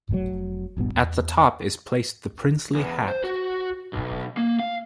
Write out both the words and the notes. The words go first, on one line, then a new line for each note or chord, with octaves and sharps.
At the top is placed the Princely hat.
F1 A#2 F#3
D1 A#1 G2 B3
E2
E2
C5
F#4
B1
A#3
F5